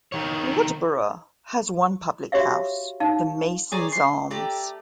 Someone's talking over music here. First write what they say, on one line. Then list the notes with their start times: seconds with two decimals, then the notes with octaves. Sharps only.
Wadborough has one public house, the Masons Arms.
0.12 D#3 C#5
2.32 F#4 G4 C#5 E5 F5
3.00 D#4 F5 A5
3.72 G#4 C#5 D5 A#5
3.92 C6
4.31 A3 G4 D5 A#5